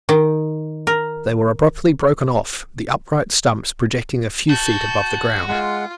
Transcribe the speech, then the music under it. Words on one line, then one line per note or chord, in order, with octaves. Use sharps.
They were abruptly broken off, the upright stumps projecting a few feet above the ground.
D#3
A#4
F#4 A5 G6
G#3 F4 F#5